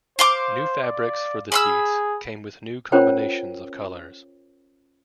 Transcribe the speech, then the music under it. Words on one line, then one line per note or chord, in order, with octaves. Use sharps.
New fabrics for the seats came with new combinations of colors.
C5 F5 C6 D6
D5
G#4 B5 C6 E6
C#4 F4 A#4 C5 C#5 G5